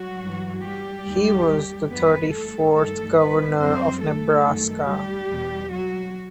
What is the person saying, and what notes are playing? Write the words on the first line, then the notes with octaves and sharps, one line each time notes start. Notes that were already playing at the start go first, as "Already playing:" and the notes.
He was the thirty-fourth Governor of Nebraska.
Already playing: F#3 F#4
G2 E3
G3 G4
D#2 D#3
F#2 E3 B3 B4
A3 A4
G2 D#3 A3 A4
B3 B4
F#2 E3 C4 C5
A3 A4
F#2 D#3
G3 G4
E2 B2
F#3 F#4